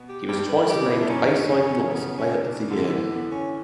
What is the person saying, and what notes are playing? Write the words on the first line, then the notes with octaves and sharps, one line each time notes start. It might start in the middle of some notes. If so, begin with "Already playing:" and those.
He was twice named Bayside North Player of the Year.
Already playing: B2 B3
G4
G2 G3 G4
B4
C#3 G4
D3 E4
E3 D4
F#2 F#3 C#4
C#4
C#3 B3
C#4
D4
D3 B3
E3
D3 B3
B3
C#4